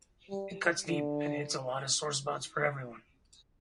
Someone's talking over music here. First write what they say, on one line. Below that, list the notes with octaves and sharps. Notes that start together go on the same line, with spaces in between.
It cuts deep, and hits a lot of sore spots for everyone.
G3
D3